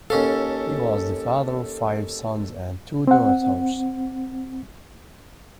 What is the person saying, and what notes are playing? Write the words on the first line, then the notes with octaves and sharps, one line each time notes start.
He was the father of five sons and two daughters.
D#2 C#4 A4 F5
C4 F#5